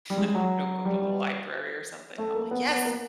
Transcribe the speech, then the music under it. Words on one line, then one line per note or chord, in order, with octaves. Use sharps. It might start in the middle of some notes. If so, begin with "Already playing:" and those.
I don't know, go to the library or something, I'm like, "Yes,
G3
G#3
F#3
G3
G3
A3
A#3
B3
B3
A#3